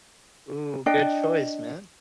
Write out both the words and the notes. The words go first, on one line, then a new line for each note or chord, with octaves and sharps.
Ooh, good choice, man.
D4 D#5 G5